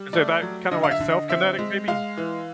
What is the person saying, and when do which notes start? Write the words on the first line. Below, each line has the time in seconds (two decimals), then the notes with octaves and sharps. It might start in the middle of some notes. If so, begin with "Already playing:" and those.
Isn't that kinda, like, self-kinetic maybe?
Already playing: G3
0.13 A3 D5
0.42 F#3
0.71 D3 D#5
0.84 F5
0.91 E5
1.00 D3
1.10 D#5
1.29 C4 E5
1.59 G#3
1.88 G#3 F5
2.17 E3